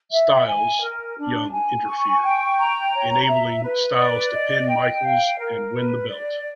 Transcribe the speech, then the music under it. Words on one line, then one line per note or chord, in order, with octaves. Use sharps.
Styles, Young interfered, enabling Styles to pin Michaels and win the belt.
E5
G#5
A#4
D4
G#5
C#6
G5
A#5
C#5
E5
B4
D5
D#5
G5
F5
A#4
B4
D5